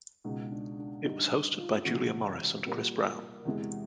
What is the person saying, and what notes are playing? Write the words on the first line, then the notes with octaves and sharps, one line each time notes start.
It was hosted by Julia Morris and Chris Brown.
C#2 B2 G#3 D#4
D4
D4
G2 D3 G3 D#4
F4
C#2 C3 E3 G#3 F#4
A#2 G3 A#3
E2 C3 E3 G#3